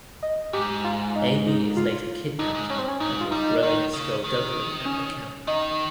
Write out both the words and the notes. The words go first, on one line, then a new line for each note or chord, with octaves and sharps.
Amy is later kidnapped amid growing skulduggery at the camp.
D#5
G#2 G4
F4
D#4
D#4
F4
G2 D#4
G#2
G2 C#4
C4
C#4
G#2 D#4
F4
G3 D#4
D#3
C#3
D#3
C#4
D#3 D#4